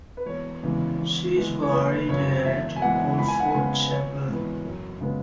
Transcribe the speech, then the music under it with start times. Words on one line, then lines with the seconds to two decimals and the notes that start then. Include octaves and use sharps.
She is buried at Wolford Chapel.
0.17 B4
0.26 E1 C#5
0.63 E2 C#3 E3 G#3
0.99 E2
1.36 E3 G#3 B3
1.63 C#5
1.72 F#1 B4
2.09 F#2 C#3 C#5
2.45 E1 E5
2.76 G#5
2.81 E2 E3 G#3 F#5
3.19 C#2 B5
3.28 G#5
3.40 F#5
3.50 C#3 G#3 B3 G#5
3.88 B4
3.92 G#1 C#5
4.28 G#2 E3 B3
4.65 F#2
5.01 C#3 G#3 B3